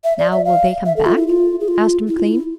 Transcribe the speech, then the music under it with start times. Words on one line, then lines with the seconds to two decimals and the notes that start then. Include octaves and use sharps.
"Now, will they come back?" asked McLean.
0.04 E5
0.19 D5
0.32 E5
0.45 F5
0.86 E5
0.96 A4
1.06 F4
1.17 E4
1.28 F4
1.60 G#4
1.68 F4
2.08 E4
2.18 F4
2.28 E4